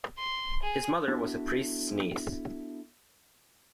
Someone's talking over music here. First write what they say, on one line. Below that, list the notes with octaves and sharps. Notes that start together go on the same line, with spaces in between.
His mother was a priest's niece.
C6
G#4
B3 D4 E4 F#4 A4